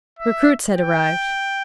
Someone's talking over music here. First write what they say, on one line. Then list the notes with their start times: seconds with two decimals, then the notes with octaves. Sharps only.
Recruits had arrived.
0.19 E5
0.72 G5